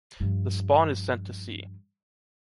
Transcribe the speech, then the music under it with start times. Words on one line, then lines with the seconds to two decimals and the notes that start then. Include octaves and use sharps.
The spawn is sent to sea.
0.20 G2 F3